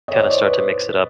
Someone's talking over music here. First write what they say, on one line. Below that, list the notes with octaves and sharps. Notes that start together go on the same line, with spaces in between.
kinda start to mix it up.
C#5 D#5
D5
C#5 D#5
C5 D5
B4 C#5